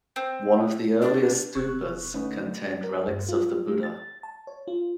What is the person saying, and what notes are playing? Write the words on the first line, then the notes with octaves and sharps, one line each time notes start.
One of the earliest stupas, contained relics of the Buddha.
C4
D4
E1 C#6 E6 F#6
D3 A3 C#4 D#4 B4
A#4
G2
F4
A3
A6
A5
C#5
F4